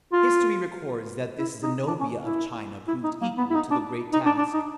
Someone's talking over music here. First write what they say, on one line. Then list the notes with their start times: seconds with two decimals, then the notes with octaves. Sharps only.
History records that this Zenobia of China proved equal to the great task.
0.13 F4
1.38 E4
1.63 D#4
1.88 D4
2.00 C#4
2.25 E4
2.88 E4
3.04 D#4
3.22 A#3
3.38 B3
3.50 E4
3.55 D#4
3.71 D4
4.13 D#4
4.26 D4
4.38 D4
4.54 D#4